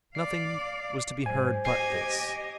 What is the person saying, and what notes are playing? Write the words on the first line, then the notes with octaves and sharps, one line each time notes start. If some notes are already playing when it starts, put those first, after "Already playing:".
Nothing was to be heard but this.
D5 F5 C7
G#2 F#3 C5 G#5
G4 D#5 G#5 C7